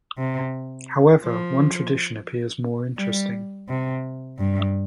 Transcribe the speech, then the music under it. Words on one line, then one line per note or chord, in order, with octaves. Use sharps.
However, one tradition appears more interesting.
C3
F3
G3
C3
G2